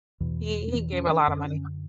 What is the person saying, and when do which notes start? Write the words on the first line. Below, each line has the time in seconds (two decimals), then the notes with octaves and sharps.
he he gave a lotta money.
0.20 E2 B2 E3
0.74 E3
0.92 C#4
1.10 D4
1.27 F#2 D3 C#4